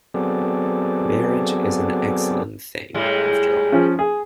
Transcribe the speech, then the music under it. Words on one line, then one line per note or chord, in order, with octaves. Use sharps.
Marriage is an excellent thing, after all.
F#3 B3 C4 G#4 A4 D5
A2 G3 G#3
F3 C#4
G#4